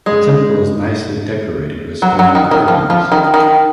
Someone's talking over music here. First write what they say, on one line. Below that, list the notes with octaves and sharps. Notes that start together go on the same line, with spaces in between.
The temple is nicely decorated with stone carvings.
G#3
F#3
F#3
D#3
D#3
F3
F3
D#3
D#3